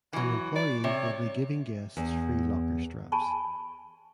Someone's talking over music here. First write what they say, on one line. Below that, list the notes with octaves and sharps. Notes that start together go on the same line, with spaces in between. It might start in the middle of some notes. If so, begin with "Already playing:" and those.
An employee will be giving guests free locker straps.
E3 F#3
D5
C3 C#5
E2
G#5 A5 B5 C#6